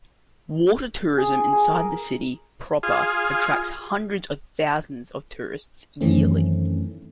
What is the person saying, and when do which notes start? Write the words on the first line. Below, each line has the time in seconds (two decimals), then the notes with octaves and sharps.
Water tourism inside the city proper attracts hundreds of thousands of tourists yearly.
1.18 G#4
1.52 G#4
1.71 A#4
2.83 F4 G#4
6.01 F#2 D#3 E3 A3 C4 C#4